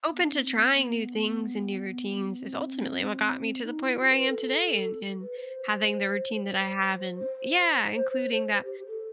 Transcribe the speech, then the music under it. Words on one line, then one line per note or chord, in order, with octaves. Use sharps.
open to trying new things and new routines is ultimately what got me to the point where I am today and and having the routine that I have and Yeah, including that
B3
D#4
C4
B3
C4
B3
C4
D#4
E4
F#4
B4
A4
B4
C5
C5
C5
G4
G4
A4